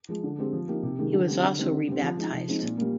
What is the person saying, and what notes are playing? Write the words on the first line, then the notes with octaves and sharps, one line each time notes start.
He was also rebaptised.
F3 G#3
D3
G#3 C4 G4
F3
A#3 D#4 G4
C3
D#3 G#3
D3
G3 C4 G4
D3
G3 C4 D#4
D3
G3 C4
F3
G#3 D#4
F3
G#3 C4 D#4
A#2
G3 A#3